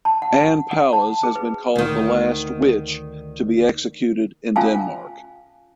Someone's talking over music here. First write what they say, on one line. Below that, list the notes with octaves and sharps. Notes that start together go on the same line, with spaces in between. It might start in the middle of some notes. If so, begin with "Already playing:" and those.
Anne Palles has been called the last "witch" to be executed in Denmark.
A5
F#5
F#5
A5
G#4
B4
D2 D#3
C#4 F4 F5 G#5 A5